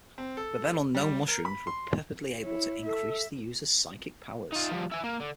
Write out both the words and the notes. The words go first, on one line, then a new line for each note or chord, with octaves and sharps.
The then-unknown mushrooms were purportedly able to increase the user's psychic powers.
C4
A4
G3
A#4
B5
C6
E4 C#5
A4 E5
D#4 F4
F3 G3
E4 G#5
A#3
D3